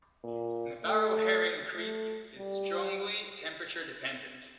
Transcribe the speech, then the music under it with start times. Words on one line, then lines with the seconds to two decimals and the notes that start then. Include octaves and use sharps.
Nabarro-Herring creep is strongly temperature dependent.
0.24 A#2
0.85 A3
1.76 A3
2.37 G3